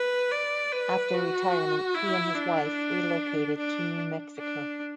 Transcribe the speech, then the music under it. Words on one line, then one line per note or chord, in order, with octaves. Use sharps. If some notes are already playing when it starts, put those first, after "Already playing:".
After retirement he and his wife relocated to New Mexico.
Already playing: B4
D5
B4
F#4
E4
D4
D4
D4